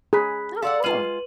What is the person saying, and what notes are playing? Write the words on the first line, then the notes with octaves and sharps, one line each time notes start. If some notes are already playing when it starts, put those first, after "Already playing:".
Oh, cool.
G#4 B5 F#6 B6
A4 D5 F5 F#5 C6 E6
G#3 F4 B4 D#7 F#7